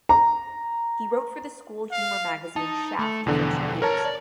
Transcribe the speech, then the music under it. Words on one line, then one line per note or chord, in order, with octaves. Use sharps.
He wrote for the school humor magazine, "Shaft", for two years.
A#5
F5
D#4 A5
A3
E2 B2 D3 F3
A#4 B4 C#5 A5 A#5
D5